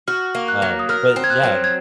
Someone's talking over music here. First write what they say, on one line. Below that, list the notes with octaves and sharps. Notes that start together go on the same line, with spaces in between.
um, but yeah
F#4 F6
A#3
F#6
F#3
D#6
A#4 F6
C4
G#6
F#6
F#3
G#6